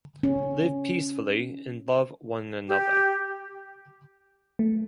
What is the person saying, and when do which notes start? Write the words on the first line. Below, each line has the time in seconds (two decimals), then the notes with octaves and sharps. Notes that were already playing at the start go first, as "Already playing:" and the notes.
Live peacefully, and love one another.
0.23 C#4
2.67 G4
4.59 A3